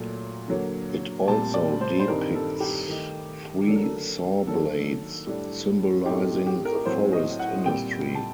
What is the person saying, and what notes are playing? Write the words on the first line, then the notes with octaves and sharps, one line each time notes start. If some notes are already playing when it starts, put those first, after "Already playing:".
It also depicts three saw-blades, symbolizing the forest industry.
Already playing: A#2 F#3 A3
D3 F#3 A#3
A#2 G3 C4 A5
D5
C5
C5
G2 D#3 G3 C4 D#4 A#4
A4
G4
D#3 A3 D#4
D3 F#3 A#3 D4 A4
A#4
A4
D#3 F#3 A#3 D4 A4
A2 G3 D4
A2 A3 C4 D#4 G4
G4
A#4
A2 F#3 C4 C5
D#5
F#5
A#2 G3 C4 G5
A5